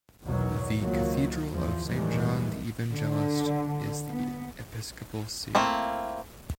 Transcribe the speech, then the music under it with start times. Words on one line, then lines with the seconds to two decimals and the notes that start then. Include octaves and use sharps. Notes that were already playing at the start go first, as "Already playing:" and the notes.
The Cathedral of Saint John the Evangelist is the episcopal see.
0.22 B1 E2 B2 D#3 F#3
0.78 C#2 D#3 F3 F#3 A#3
1.51 E2 F3
1.87 D#2 A2 D#3 E3 G3 G#3
2.93 D3
4.11 B3
5.55 A3 A#3 C4 E4